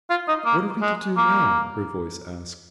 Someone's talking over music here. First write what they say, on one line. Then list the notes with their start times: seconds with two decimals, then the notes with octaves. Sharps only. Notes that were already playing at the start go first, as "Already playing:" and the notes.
"What are we to do now?" her voice asked.
0.10 F4
0.28 D#4
0.45 A#3
0.81 G#3
1.17 A#3